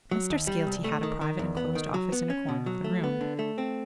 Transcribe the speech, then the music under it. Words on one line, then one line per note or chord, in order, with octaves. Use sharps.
Mr. Skeelty had a private enclosed office in a corner of the room.
F#3
D#2
G3
C2
A3
D#3
D#3
E2
B3
D#3
F#3
B3
C#4
B2
F#3
A3
B3
D3
A3
C4